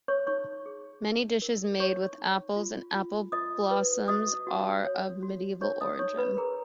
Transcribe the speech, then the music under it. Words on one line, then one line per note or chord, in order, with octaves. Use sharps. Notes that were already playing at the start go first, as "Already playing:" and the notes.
Many dishes made with apples and apple blossom are of medieval origin.
C#5 C#6
D#4 C#5 C#6
G#4
D#4
A#4
D#4 C#5 C#6
D#4
F4
F4
F4 D#5 D#6
B4
F#4 D#5 D#6
F#4
C#5
F#4
D#4 C#5 C#6
D#5 D#6
D#4 C#5 C#6
B4 B5
G#4 A#4 A#5